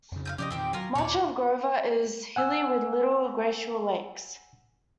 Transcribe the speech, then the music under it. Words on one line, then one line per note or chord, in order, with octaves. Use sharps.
Much of Grover is hilly with little glacial lakes.
F2 C#3
F5 D#6 G6
C3 F3 C#4 G4 D5 D#5
E2 A#2 D#3 C4 G4 G5
F#3 C#4 F4 A#4
D#2 A#2 C#5 D5
F#5 G#5 E6